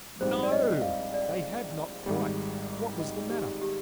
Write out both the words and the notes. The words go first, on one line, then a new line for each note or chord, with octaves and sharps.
No! they had not quite: what was the matter?
A#1 G#2 G3 C4 C5
D5
D#5
F5
D5
G#1 G#2 G3
D#5
G4
G4